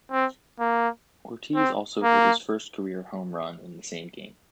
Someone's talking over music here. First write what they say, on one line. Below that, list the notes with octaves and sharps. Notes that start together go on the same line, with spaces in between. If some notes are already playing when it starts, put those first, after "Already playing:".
Ortiz also hit his first career home run in the same game.
C4
A#3
C4
A#3